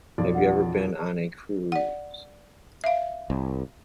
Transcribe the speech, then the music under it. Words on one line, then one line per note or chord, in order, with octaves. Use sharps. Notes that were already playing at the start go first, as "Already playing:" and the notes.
Have you ever been on a cruise?
B1 F2 F4 D5
D5 F#5
E5 F5
C2